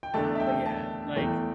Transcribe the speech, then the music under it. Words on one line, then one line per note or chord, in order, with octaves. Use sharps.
But yeah, like
G5
E2 D3 A3 A5
E5
G5
A5
E2 E3 A3 G5